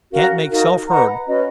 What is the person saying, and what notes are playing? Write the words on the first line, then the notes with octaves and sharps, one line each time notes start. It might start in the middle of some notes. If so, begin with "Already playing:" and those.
Can't make self heard.
C#4 F#4 A#4 F5
D#4 F#4 A#4 F5
B4 D#5 F#5 A#5
C#4 F#4 B4 D#5